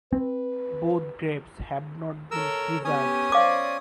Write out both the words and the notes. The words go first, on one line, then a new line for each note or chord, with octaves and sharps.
Both graves have not been preserved.
C4 B4
A4 A#4 C#5 E6
B3 C#4 G4 G#5 D#6
C5 D5 F5 D6